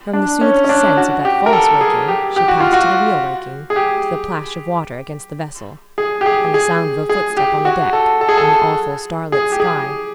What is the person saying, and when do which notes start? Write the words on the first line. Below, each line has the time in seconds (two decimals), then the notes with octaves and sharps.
From the soothed sense of that false waking she passed to the real waking,--to the plash of water against the vessel, and the sound of a footstep on the deck, and the awful starlit sky.
0.13 D4
0.41 C#4
0.64 C#4
0.69 D4
0.97 F#4
1.25 G4
1.46 A#4
1.53 A4
1.81 G#4
2.08 G4
2.36 G4
2.48 F#4
2.60 F4
2.73 F#4
3.70 G#4
3.76 G4
5.98 G#4
6.21 G4
6.26 G#4
6.54 G#4
7.09 G#4
7.37 G4
7.65 F#4
7.93 A4
8.21 A4
8.29 G#4
8.37 A4
9.32 G#4
9.52 G4
9.60 G#4